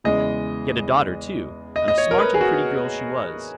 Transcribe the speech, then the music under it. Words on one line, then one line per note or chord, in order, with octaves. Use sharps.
He had a daughter too, and a smart and pretty girl she was.
E2 C#3 E3 G#3 D#5
D#5
D#5
C#5
A#4
B4
G#4
F#4